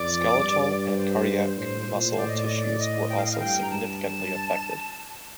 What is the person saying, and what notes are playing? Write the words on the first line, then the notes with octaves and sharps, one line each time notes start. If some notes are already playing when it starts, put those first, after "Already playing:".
Skeletal and cardiac muscle tissues were also significantly affected.
Already playing: F2 D5
G2
C5
A2 C5
A#2 C5
A2 D5
D#5
D5
D#5
D5
D#5
G5
F5
D#5
F5
G2 G5
A#5
A5